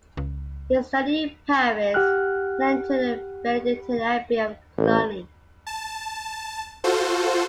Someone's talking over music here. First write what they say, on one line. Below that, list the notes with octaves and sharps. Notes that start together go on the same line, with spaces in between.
He studied in Paris and entered the Benedictine Abbey of Cluny.
C#2
G4 F#5 G5 F6 F#6
A1
A5
F4 F#4 A4 C5